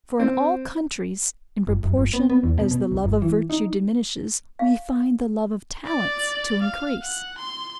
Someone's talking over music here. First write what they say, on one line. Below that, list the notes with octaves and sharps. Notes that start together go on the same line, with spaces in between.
For in all countries, in proportion as the love of virtue diminishes, we find the love of talents to increase.
C4
G1
F#2
G1
B3
B3
E2
B2
B2
C#2
G1
E3
D#4
F5
D5
F5
F#5
C6